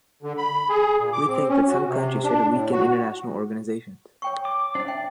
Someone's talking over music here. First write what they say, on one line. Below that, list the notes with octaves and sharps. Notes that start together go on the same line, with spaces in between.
We think that some countries try to weaken international organizations.
D3
B5
G#4
A#2
D6
C4
C#4
F#4
C3
D4
A2
F#4
C#5 G5 C#6
D6
D4 C5 D5
E5 G5